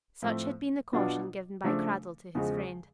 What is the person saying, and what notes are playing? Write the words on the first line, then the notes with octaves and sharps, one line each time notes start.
Such had been the caution given by Cradell to his friend.
A2 F3 A3 C4
B2 F#3 B3 D4 F4
C#3 F3 A3 D4
E2 C#3 F3 G#3